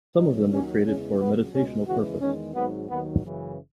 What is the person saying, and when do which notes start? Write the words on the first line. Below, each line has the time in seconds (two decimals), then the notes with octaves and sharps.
Some of them were created for meditational purpose.
0.16 F#1 F#2 C#3 E3 G#3 D#4
0.50 D#2 D#3 F#3 C#4
0.84 E2 C#3 E3 G#3 C#4
1.18 C#2 C#3 F#3 B3
1.52 C#2 B2 G#3 C#4
1.86 D#2 C#3 E3 G#3 F#4
2.20 E2 D#3 G#3 C#4
2.54 G#1 G#2 F#3 B3
2.88 D#2 D#3 F#3 B3
3.22 F#1 F#2 C#3 E3